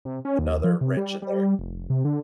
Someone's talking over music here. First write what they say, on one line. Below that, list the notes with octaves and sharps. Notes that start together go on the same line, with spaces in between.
another wrench in there.
C3
C#4
D#2
F3
C3
G3
G3
F1
C3
D3